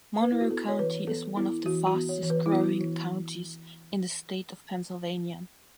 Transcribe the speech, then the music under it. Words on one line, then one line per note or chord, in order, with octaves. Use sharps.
Monroe County is one of the fastest-growing counties in the state of Pennsylvania.
B3 B4
E4
F#4
B3 A4
C#5
E3 B4
B3 A4
B3 E4
E3 F#4
F#4
B3
C#5
E3
B4
E4
B3 F#4
E3